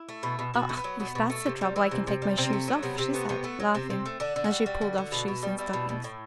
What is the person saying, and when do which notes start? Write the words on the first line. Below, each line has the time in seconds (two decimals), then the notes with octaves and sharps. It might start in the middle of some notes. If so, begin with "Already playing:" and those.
"Oh, if that's the trouble I can take my shoes off," she said, laughing, as she pulled off shoes and stockings.
Already playing: E4
0.09 A3
0.23 B2
0.39 B2
0.54 B2 F#4
0.69 A3
0.77 B3
0.84 F#3
1.00 B2 B3
1.15 B2
1.30 A3
1.46 C3
1.61 G3
1.76 E3
1.91 C3
2.07 C3
2.22 G3
2.37 C3 C4
2.53 A3
2.68 F#3
2.83 C3 B3
2.98 C3 C4
3.13 A3 B3
3.29 C3 B3
3.44 A3
3.60 F#3
3.75 C3 C4
3.90 C3
4.06 A3
4.20 D3 D4
4.36 D3
4.44 F#4
4.51 G3
4.66 G3
4.81 D3
4.98 D3
5.12 B2
5.28 B2
5.43 G3
5.58 G3 E4
5.73 B2
5.89 B2
6.04 A2